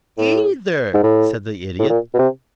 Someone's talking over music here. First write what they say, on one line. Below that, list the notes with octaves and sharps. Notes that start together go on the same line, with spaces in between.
"Either," said the Idiot.
A2
G#2
A2
A2
A#2
B2
C3